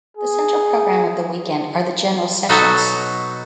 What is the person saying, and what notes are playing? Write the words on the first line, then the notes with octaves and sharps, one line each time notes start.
The central program of the weekend are the general sessions.
G#4
B2 F#3 D#4 F#4 A4